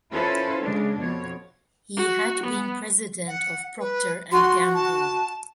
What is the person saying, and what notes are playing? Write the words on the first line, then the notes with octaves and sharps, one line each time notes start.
He had been president of Procter and Gamble.
C#4 E4 F4 A4 B4 C5
C#3 G#3 D4
F2 B2 C#5
F#4
B3
F#5
B4
F#4 C6
A5